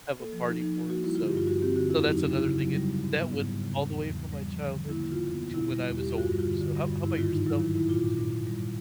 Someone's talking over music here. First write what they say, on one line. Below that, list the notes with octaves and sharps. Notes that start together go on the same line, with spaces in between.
have a party for us, so so that's another thing, it that went all the way from my childhood to to when I was older. So how how 'bout yourself? Did you
A#3 A4
F3
F3 D#4
F3 D#4
F3
A#3 F#4
G3 E4
D3 F4
G4
G2 F4
G3 F#4
C4 G4
D3 F#4
F2 E4
F#3
D#4
C#3
C#3 E4
C#3
F#3
G3
G3
G#2
B3
G#2
G3
C#3
E2
E3
E2
E2
G3
F3
D3
D3
A#3 E4
D3
F4
F#2
B3
B2
E4
B2
G3
E2
G4
G3
F4
G2 F#4
G3
F4
D3
D3
G3
G2
G#2 E4
D#3 F4
G#2 D#4
F#3 E4
D#3
G#2 E4
A#2 F4
A#2
A#2
A#2
G3
A#2